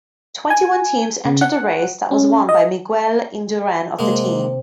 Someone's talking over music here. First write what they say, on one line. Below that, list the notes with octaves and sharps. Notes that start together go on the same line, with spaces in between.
Twenty-one teams entered the race that was won by Miguel Indurain of the team.
G#5
C#3
F#5
C#4
D#5
C3 G#3 A#3